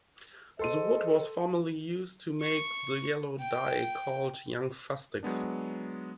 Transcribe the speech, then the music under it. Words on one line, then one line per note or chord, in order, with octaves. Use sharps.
The wood was formerly used to make the yellow dye called young fustic.
G#4 A4 C5 D#5 C6 D#7
C#6
G5
F#3 G#3 B3 D4